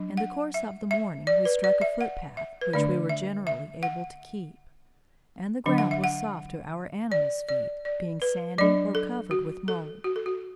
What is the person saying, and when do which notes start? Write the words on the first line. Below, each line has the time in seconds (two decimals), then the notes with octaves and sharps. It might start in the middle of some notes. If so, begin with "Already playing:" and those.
In the course of the morning we struck a foot path, which we were generally able to keep; and the ground was soft to our animals feet, being sandy or covered with mould.
Already playing: F#3 D4
0.17 F#5
0.54 E5
0.91 E5
1.27 D5
1.45 B4
1.64 D5
1.82 E5
2.01 F#5
2.37 E5
2.61 B4
2.73 D3 A3 D4 D5
3.09 E5
3.47 E5
3.83 F#5
5.66 D3 F#3 D4
5.78 F#5
5.91 E5
6.04 F#5
7.12 D5
7.49 D5
7.85 D5
8.22 B4
8.58 F#3 D4 D5
8.95 A4
9.31 F#4
9.68 A4
10.04 F#4
10.16 A4
10.26 F#4